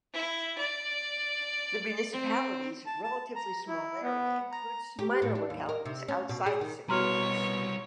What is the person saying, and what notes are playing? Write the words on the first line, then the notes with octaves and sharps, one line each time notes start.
The municipality's relatively small area includes some minor localities outside the city limits.
E4
D5
C4
A5
A5
A#5
E4
B3
A#5
G4
A2
D4
D#2
A#4
C3
C#4
B2
G#4
D#3
B2 G3 E4 C#5 A#5 C6 F6